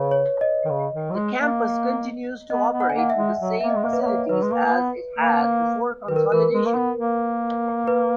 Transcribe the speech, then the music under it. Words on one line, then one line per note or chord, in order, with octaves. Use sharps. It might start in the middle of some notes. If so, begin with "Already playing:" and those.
The campus continues to operate with the same facilities as it had before consolidation.
Already playing: C#3 B4 C#5
C#5
D#5
D#3
C#3
D#3
F#3
G#3
A#3
B3 D#5
B3
F#5
G#5
A#3 F#5
E5
G#3
F#3
A#3 E5
D#5
G#3
A#3
B4
B3 C#5
A#3
F#3 B4
G#3
A#3
A#3
B3
A#3
D#3 B4
A#4
E3 A#4
G#3
A#3
B3
A#3
B4